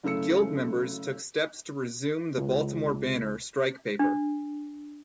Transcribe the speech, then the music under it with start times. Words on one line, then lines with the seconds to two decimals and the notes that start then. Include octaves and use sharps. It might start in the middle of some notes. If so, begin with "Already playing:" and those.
Guild members took steps to resume the "Baltimore Banner" strike paper.
0.03 F#1 C#3 A3 E6 C#7
2.37 C#2
3.99 D4